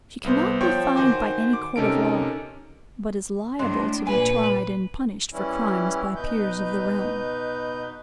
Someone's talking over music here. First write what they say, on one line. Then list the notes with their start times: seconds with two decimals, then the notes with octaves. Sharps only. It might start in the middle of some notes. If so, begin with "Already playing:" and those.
She cannot be fined by any court of law; but is liable to be tried and punished for crimes by peers of the realm.
0.24 C2 B3 C5
0.61 F3 C5 C#5 G5 C#6
0.95 D#3 F#4 C5 G#5 D6
1.53 D6
1.76 C3 C#4 D#4 A4 A#4 D7
3.59 A2 G#3 D4
4.07 A#2 B4 G#5
5.33 E3 G3 C#4 E4
6.16 B2 D#4 B4 G6